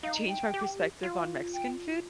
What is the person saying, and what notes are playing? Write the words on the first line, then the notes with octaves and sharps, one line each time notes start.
changed my perspective on Mexican food,
D#4 F5
G5
G4
F4
G5